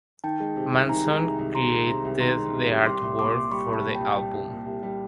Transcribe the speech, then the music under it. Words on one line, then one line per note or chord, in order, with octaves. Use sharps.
Manson created the artwork for the album.
D#3 G5 A5
G#3
C3
C2
D#3 G#5 A#5
G#3
C3
C2
D#3 A#5 C6
G#3
C3
C2
D#3 A#5 C6
G#3
C3
C2
G3 C6 D6
C2
A#2 C6 D6
C2
G3 B5 C#6
C2
A5 B5
A#2
G5 A5
C2
G3
C2
A#2
C2
G3